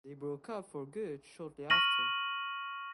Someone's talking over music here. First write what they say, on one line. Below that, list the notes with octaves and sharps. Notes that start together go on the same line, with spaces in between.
They broke up for good shortly after.
C#6 F6 A#6 D#7 F#7